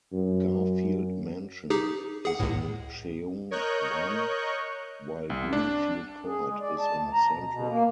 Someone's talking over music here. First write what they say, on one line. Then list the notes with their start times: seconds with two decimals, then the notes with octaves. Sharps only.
Garfield Mansion is in Sheung Wan while Green Field Court is in Central.
0.13 F#2
1.70 D#4 G4 G#4
2.25 G#4 F#5
2.40 C#2 A2
3.51 A#4 C#5 D#5 C#6 F#6 G6
5.30 C2
5.53 D4
6.26 G#4
6.47 G#3
6.60 D5
6.79 A5
6.97 D2
7.13 A#5
7.32 B2
7.50 B2
7.68 A#3